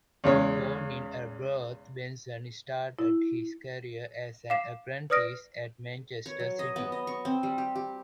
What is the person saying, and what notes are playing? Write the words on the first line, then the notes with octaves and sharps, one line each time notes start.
Born in Arbroath, Benson started his career as an apprentice at Manchester City.
E2 C#3 G#3 C#5
E4
F5 D6 C7 E7
B4 D5 D#6 F6 A#6 D7
C#5
F#3
D#5
B3
D#5
C#6
C4
G3
G4
G4